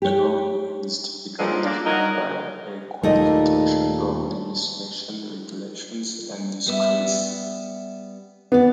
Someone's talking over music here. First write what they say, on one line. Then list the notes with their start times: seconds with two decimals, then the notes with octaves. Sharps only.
The wrongdoing is typically defined by a codification of legislation, regulations, and decrees.
0.02 G4 C#5
1.39 A#2 D3 F3 F#3 G#3 C4
1.64 A#3 D4
1.86 F#3 D#4 F#4 A#4 D#5
3.03 D#2 A#2 A3 D#4 D#5
6.66 G3 B3 E5
8.52 E3 B3 D5